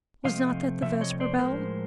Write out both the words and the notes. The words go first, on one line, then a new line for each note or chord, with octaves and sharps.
Was not that the vesper-bell?'
C3 F3 A3 C4 D#5 F5
C3 F3 A3 C4 E5
C#5 D#5
C5 D5
A2 F3 G#3 A#4 C5